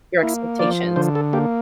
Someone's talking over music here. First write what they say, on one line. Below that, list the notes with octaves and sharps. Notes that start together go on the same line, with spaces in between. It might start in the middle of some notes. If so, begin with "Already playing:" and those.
your expectations.
A#3 E4
F3 D5
D3 C5
A4
A#3 G4